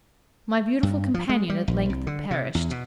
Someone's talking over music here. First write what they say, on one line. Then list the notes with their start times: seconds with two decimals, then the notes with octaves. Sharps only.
My beautiful companion at length perished.
0.83 G2
1.14 F3
1.29 G#3
1.50 G3
1.68 A#1
1.90 C2
2.07 D3
2.31 C3
2.55 E2
2.71 B2